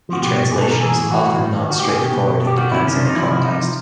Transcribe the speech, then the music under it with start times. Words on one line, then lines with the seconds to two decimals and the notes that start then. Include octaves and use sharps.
The translation is often not straightforward and depends on the context.
0.09 F3 F#4
0.22 B2 G4
0.37 B2
0.52 B2 G#4
0.62 A4
0.67 B2 A#4
0.81 E3 G#4
0.97 A2
1.10 E3 F#4
1.26 A2
1.41 D#3
1.55 D#3
1.70 D#3 F#4
1.79 G4
1.85 D#3 G#4
1.98 B2 G4
2.13 B2
2.28 B2
2.43 B2 G4
2.58 D#3 F#4
2.72 C3 E4
2.87 D#3 C#4
2.96 D4
3.02 C3 D#4
3.16 F3 E4
3.31 F3
3.37 E4
3.45 C3 D#4
3.61 F3